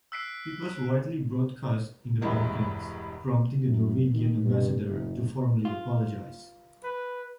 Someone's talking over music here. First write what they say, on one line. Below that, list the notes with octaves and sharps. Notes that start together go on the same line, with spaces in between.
It was widely broadcast in the Balkans, prompting the Norwegian ambassador to formally apologize.
E6 F#6 B6 C7 D7
E1 E2 G2 G#3 E4 A#4
F#2
D#3
G2
F#1
F4
B4